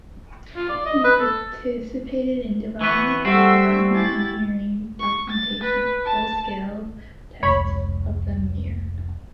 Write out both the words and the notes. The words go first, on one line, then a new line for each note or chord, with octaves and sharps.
He participated in development of design and engineering documentation, full-scale tests of the Mir.
F4
D5
D#5
B4
A4
E3 B3 C#6
G3 A3 C4 F#4 A4 E5 E6
E4 G4 G#5 A6
C#6
A6
B4
A5
F1 C#2 C#5 B5